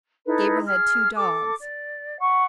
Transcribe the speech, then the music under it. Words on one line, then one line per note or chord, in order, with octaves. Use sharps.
Gabriel had two dogs.
D#4 E4 A4 B4
G#4 F6
A4 D6
D5
F#5 B5 C#6